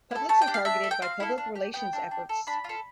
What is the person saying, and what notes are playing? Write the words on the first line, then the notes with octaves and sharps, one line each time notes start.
Publics are targeted by public relations efforts.
E4 A4
A3 A5
G5
D4 G4
F5
D4 E5
A4
G5
C4 F5
E4 A4
D4
G4
B3 G5
D4 A4
D4
A4
D4 B5
F4 A4